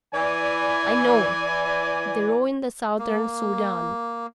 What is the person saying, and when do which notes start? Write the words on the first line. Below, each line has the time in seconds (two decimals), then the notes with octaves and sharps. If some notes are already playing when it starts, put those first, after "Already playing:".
'I know--the row in the Southern Soudan.
0.13 E3 D5 G#5
2.99 A#3